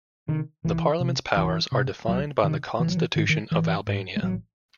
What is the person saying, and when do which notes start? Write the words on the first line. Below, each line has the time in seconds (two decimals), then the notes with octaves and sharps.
The Parliament's powers are defined by the Constitution of Albania.
0.29 C3 D#3
0.64 C2 E3
1.00 C3
1.36 C2 E3
1.72 C3
2.08 C2 F#3
2.44 C3 D#3
2.80 A1 E3
2.89 F#3
2.97 E3
3.15 G#2 D#3
3.29 D#3
3.51 A1 E3
3.87 G#2
4.16 G#3
4.23 A1 F#3